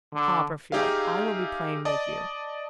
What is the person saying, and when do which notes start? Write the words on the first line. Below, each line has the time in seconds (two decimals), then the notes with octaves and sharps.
Copperfield, I will be plain with you.
0.14 D3
0.72 D#4 G4 G#4 E5 F5
1.85 D5 D#5 A5 D#6